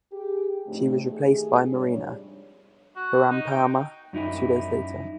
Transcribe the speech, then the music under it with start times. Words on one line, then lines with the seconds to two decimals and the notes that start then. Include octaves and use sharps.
She was replaced by Marina Barampama two days later.
0.12 G4 G#4
0.67 F2 A2 D3 A3 C4 D#4
1.13 D#3 A3 G4 G#4
1.71 F2 G#2 C3 G3 D4 C#5
2.96 F#4
3.31 D#4
3.51 G5
4.13 F#2 D#4 E4